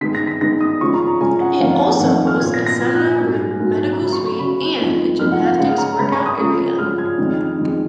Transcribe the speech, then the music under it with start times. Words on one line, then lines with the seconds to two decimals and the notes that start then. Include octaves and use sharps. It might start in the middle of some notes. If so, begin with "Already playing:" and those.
It also hosts a seminar room, medical suite, and a gymnastics workout area.
0.01 D#3 G#3 B3 D#4 B6
0.15 A#6
0.27 B6
0.41 D#3 G#3 B3 D#4 A#6
0.61 D#6
0.81 C#3 F3 G#3 C#4 C#6
0.94 A#5
1.07 A#5
1.21 C#3 F3 G#3 C#4 G#5
1.41 F#5
1.60 F2 D#3 A#3 C#4 F5
1.71 F#5
1.80 G#5
1.91 G#5
2.00 F2 D#3 A#3 C#4 F#5
2.27 F6
2.40 A#2 F3 B3 G#6
2.54 A#6
2.66 A#6
2.79 A#2 F3 B3 G#6
2.94 F#6
3.07 G#5
3.20 G#2 F#3 A#3
3.60 G#2 F#3 A#3
3.93 A#5
4.00 C#3 F#3 C#4 B5
4.13 C#6
4.26 C#6
4.39 C#3 F#3 C#4 B5
4.79 F2 F3 A#3 D#4
5.19 F2 F3 A#3 D#4 F6
5.32 F#5
5.45 F5
5.59 C#3 G#3 C#4 F#5
5.78 A#5
5.99 C#3 G#3 C#4 B5
6.12 C#6
6.26 D#6
6.39 C#3 F3 G#3 C#4
6.78 C#3 F3 G#3 C#4 F6
6.98 G#6
7.18 F2 D#3 G#3
7.58 F2 D#3 G#3